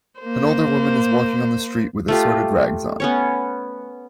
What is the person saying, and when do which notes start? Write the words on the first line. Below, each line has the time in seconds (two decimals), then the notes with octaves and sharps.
An older woman is walking on the street with assorted rags on.
0.20 A#3 C5
2.08 A3 F4 G4
3.00 B3 C#4 C#5